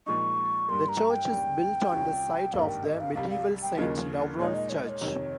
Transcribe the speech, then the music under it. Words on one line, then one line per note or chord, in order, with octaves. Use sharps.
The church is built on the site of the medieval Saint Lavrans Church.
A#2 F3 G#3 D#4 C#6
G2 G3 A#3 C6
A#5
G5
D#2 C#3 G3
C2 C3 G3 C#4 F4
G#1 G2 D#3 G3 A#3 F5
G5
D#5
F5
C2 C3 G3 F5
F5
G5
D#2 C#3 F3 A#3 D#5
A#2 G#3 D#4 C#5
D#5
C#5
D#5
C#5
F2 C3 D#3